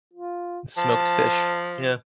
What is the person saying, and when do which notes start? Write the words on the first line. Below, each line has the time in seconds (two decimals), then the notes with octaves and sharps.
Smoked fish. Yeah.
0.14 F4
0.78 F3 A5